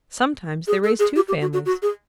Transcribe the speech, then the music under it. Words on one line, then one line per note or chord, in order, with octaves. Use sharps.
Sometimes they raise two families.
G#4
A4
G#4
G4
G4
F#4
F#4
F#4
G#4